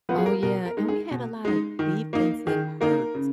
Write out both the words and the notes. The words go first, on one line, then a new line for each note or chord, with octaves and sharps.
Oh, yeah, and we had a lot of defensive hurt.
F3 B3 F4 B4
G#4
A#4
B2 A#4
A#4
G#3 D#4
G#4
B2
G#3 D#4
D#3
A#3 D#4
D#3 G#4
A#3 D#4 A#4
C#3